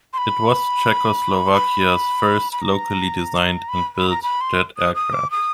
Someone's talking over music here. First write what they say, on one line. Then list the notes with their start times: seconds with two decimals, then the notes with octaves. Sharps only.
It was Czechoslovakia's first locally designed and built jet aircraft.
0.13 C6
0.18 B5
1.52 B5
2.52 B5
2.61 A#5
3.69 B5
3.96 B5
4.10 A#5
4.23 B5
4.41 C6
4.77 D#6
4.95 D#6
5.13 D6
5.31 D#6